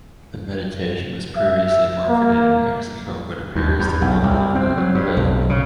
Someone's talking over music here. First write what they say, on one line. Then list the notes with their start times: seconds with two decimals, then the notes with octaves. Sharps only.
The medication was previously marketed in Mexico but appears to no longer available.
1.37 E5
2.09 A#3
3.55 D#2
3.79 E2
4.02 B1
4.23 C2
4.55 C4
4.78 F#3
4.95 G2
5.17 B1
5.49 C#3